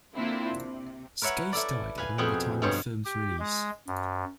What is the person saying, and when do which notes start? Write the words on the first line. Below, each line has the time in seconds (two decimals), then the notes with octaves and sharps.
Skase died at around the time of the film's release.
0.15 D3 A#3 C4 D4 E4 F4
0.56 C3
1.22 A#4 B4 C#5 E5 F#5
1.53 E4 A4 D5
1.98 B4 F5 G#5
2.18 F2 B2 G#4 C5 F#5 G5
2.62 G2 B2 F3 C5 C#5
3.05 G4
3.40 G#3
3.87 F#2